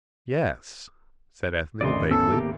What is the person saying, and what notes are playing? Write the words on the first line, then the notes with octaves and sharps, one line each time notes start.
"Yes," said Ethne, vaguely.
G#1 D2 C#3 D5 D#5 C6
B3 C#4 A4 E6
A#3 G4